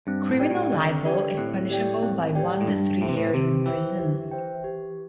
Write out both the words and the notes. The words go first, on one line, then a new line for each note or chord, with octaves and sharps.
Criminal libel is punishable by one to three years in prison.
G2 C4
A2
G4 D5 G5
A2
D3 C4
G4 D5 G5
A2 C4
G4 D5 G5
C4
G4 D5 G5
A2
G2 G4
A2 C5 E5 G5
C3
A2
C3 G4
E3 C5 E5 G5
G4
C5 E5 G5
G4